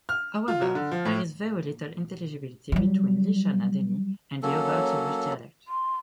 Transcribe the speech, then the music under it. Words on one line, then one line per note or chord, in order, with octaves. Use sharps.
However, there is very little intelligibility between Lishana Deni and the other Jewish dialects.
F6
F4
F#3
D3
F3
A2
F#3 G3
F#3 A#3 C#4 A4
C6